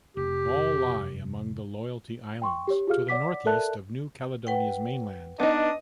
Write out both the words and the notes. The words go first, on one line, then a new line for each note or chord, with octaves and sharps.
All lie among the Loyalty Islands, to the northeast of New Caledonia's mainland.
F1 G4
G5 C6 C#6
G4 C#5
F4 G4 G#4 F5 F6
C#5 D5 F#5 D6 B6
A4 A#4 D5 E5 A5 F#6
B4 F#5 G5
B3 D4 D#4 D#5